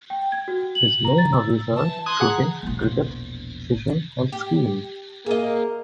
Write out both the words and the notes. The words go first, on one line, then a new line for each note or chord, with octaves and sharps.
His main hobbies are shooting, cricket, fishing, and skiing.
G5
G#6
F#4
F#7
A#5
A6
E6
E3 A5
C6 D#6 F#6 G#6
G#4 F#5 A#5
E1 A#1
G4
A#3 G#4 D#5